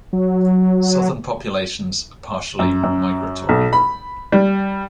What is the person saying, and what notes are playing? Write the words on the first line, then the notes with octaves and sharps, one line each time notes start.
Southern populations are partially migratory.
F#3
F#2
F#2
B1
B5
G3